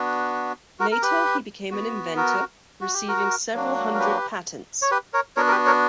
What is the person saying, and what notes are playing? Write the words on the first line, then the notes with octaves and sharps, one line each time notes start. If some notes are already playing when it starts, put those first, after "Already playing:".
Later, he became an inventor, receiving several hundred patents.
Already playing: B3 D4 F#4
F#4 A#4
A#4
G4 B4
B3 F#4
F#4 A#4
F#4
G4
F#4 A#4
F#3 A#3 D4 F#4
A#4
G4 B4
C#5
G4 B4
A#4 C#5
B3 D4 F#4 A#4 C#5
A#4
G4 B4
A#4 C#5